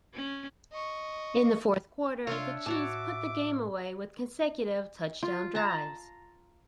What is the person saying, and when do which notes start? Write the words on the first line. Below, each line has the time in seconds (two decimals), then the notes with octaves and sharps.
In the fourth quarter, the Chiefs put the game away with consecutive touchdown drives.
0.15 C#4
0.72 D#5 C#6
2.27 C3 D4 F4 C#5 E5
2.66 A2 F#4 C#5 A5 D6
5.23 F4
5.55 A5 A#5